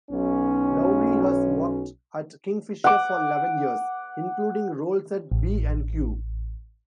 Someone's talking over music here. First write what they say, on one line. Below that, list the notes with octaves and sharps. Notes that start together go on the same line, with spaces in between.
Laury has worked at Kingfisher for eleven years, including roles at B and Q.
B1 C#4
F#5 D6
A1